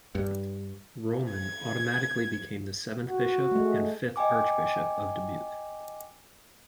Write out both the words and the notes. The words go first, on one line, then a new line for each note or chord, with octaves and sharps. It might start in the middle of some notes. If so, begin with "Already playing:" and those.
Rohlman automatically became the seventh bishop and fifth archbishop of Dubuque.
G2
G#6
F#4
G#3 A3
D#5 G5 G#5 D6